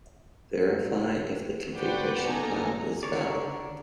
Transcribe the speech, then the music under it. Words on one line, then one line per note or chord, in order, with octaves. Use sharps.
Verify if the configuration file is valid.
F#4 B4 C5 D5 F#5 G5
A#3 B3 D#4 A4 G#5 A#5
D3 A#4 C#5 D5